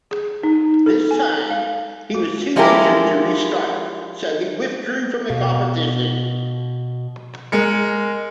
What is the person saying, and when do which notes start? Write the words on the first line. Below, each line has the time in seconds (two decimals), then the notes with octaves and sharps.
This time he was too injured to restart, so he withdrew from the competition.
0.11 G#4
0.43 D#4
0.86 A4
1.11 G#5
1.50 F5
2.15 F#4
2.56 F3 G#3 C#4 E4 G4 A#4
5.30 B2 F5
7.52 G#3 A#4 C#7